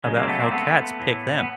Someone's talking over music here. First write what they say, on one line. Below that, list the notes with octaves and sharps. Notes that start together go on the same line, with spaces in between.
about how cats pick them.
C#3 F#3 G#3
G#3 A#3
C4
A3 B3
A#3 C4
A3 B3
A2 E3
B3